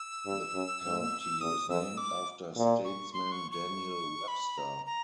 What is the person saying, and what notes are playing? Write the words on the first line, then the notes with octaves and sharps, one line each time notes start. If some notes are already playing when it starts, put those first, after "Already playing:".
The county is named after statesman Daniel Webster.
Already playing: E6
G2
F#2
F2
E2 D#6
F2 E6
D6
A#2
C#6
C6
C#6
C#6
B5
A#5
A#5